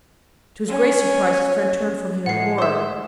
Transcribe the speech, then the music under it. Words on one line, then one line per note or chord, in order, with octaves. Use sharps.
To his great surprise his friend turned from him in horror.
C#4
A2 G#3 F#5 C7
C5 E5